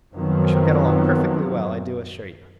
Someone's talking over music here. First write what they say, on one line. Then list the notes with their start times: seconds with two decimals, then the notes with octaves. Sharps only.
We shall get along perfectly well, I do assure you.
0.14 F#2 D#3 F3 F#3 B3 C4